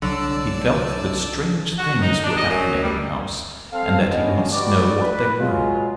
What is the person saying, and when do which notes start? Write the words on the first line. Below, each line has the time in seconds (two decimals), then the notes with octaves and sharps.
He felt that strange things were happening in the house and that he must know what they were.
0.02 C2 D3 F#3 D5 A5 E6
1.79 F#4
2.01 D#4
2.24 D4
2.37 D#5
2.48 F#2
2.82 G3
3.73 C4 A4 F5
4.10 B3 C#4 D4 F#4 D#5
4.50 D#4 F#4 G4 B4 D5
5.01 B4
5.39 F#3 G#3 F4